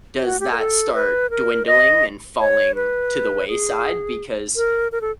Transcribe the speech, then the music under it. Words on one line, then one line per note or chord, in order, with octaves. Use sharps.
does that start dwindling and falling to the wayside because
F#4
G4
A#4
A4
B4
A#4
D#5
C#5
B4
G#4
A#4
A#4
A4